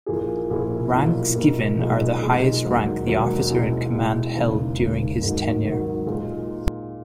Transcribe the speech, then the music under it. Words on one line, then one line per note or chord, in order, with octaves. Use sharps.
Ranks given are the highest rank the officer in command held during his tenure.
A#1 A#2 A#3 E4 G#4
A#1 A#2 A#3 E4 G#4
B1 A#2 A#3 E4 A#4
B1 A#2 A#3 E4 A#4
B1 A#2 G#3 D#4
B1 A#2 G#3 D#4
E1 D#2 D#3 F#3
E1 D#2 D#3 F#3
B2 G#3 C#4 E4
B2 G#3 C#4 E4
E1 D#2 C#3
E1 D#2 C#3
G#1 G#2 D#3 F#3
G#1 G#2 D#3 F#3
A#2 G#3 D#4 A#4